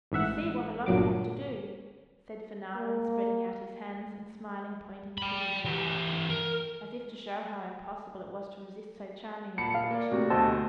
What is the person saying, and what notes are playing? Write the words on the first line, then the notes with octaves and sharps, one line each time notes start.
"You see what a lot I have to do," said Fanarin, spreading out his hands and smilingly pointing to his wife, as if to show how impossible it was to resist so charming a creature.
A1 G#2 E5 F#5
G1 A#2 F#3 D6
A#3
G5 B5
E3 G4
A#4
A#2 A5 B5 C#7
F5
A#3 D5
A2 C3 F#4
D2 B2 G4 C5 D#5 A5 E6